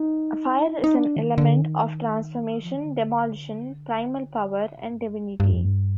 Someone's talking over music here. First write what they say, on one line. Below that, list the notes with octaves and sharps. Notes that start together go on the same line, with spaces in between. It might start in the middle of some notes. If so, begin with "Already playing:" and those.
Fire is an element of transformation, demolition, primal power, and divinity.
Already playing: D#4
D#4
D4
D#3
D3
D#3
F3
D#3
D3
B2
G#2
G2
F2
G2
F2
G2